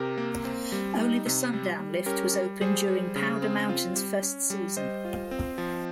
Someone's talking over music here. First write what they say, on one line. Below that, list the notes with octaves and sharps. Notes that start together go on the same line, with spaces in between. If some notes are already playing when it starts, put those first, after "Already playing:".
Only the Sundown lift was open during Powder Mountain's first season.
Already playing: C3 G4 A#4
A#3
C4
G3
D#4
C3
G3
G3
C#4 G4 A#4
G3
G3 G#4 C5
G3
C#3
C4
F4
G3
C#4
G3
G3 C5 D#5
F4
C4
F3